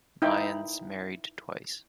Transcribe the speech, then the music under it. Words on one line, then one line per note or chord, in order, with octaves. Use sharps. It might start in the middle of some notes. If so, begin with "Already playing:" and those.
Lyons married twice.
D#4 E4 G5